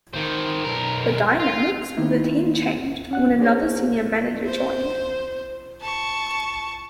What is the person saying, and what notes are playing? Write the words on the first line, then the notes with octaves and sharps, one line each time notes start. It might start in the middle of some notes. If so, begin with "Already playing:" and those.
The dynamics of the team changed when another senior manager joined.
D#3 C5
B1 A#4
F4
D#3 A#3 B3 D#4 E4
C#4 F#5 F#6
A#3 D4 G#4 C5 C#5
C5
A5 C#6